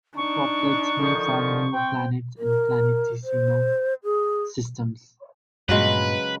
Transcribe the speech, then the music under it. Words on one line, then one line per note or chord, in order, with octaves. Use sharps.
A proplyd may form new planets and planetesimal systems.
D4 D#4 C#6
D3 D#3 F3
C4 G5
A#4
C5
G#4
G2 A#2 C#3 F#3 G#3 B4